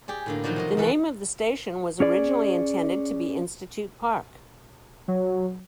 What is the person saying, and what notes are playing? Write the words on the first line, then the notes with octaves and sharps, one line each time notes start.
The name of the station was originally intended to be Institute Park.
G4 G#4 D5
A2 D3 A#3
D#3 F3 F#3 D#4 F#4 D5
C3 A#4 D#5
E2 E4 A4 B4 B5
C#4 G#4 D5
F#3